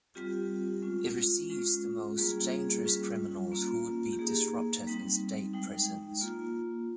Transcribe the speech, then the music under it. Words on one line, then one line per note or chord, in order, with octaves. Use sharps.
It receives the most dangerous criminals who would be disruptive in state prisons.
G3 C4 F4 G4
G#3 C#4 F4
G#3 C#4 F4
G3 A#3 C#4 F4 G#4
G#4
G3 C#4 F4
A#3 C#4 F4
G4
A#3 D#4 G#4
G3 C4 D#4
G#3 D#4 G5
A#3 F4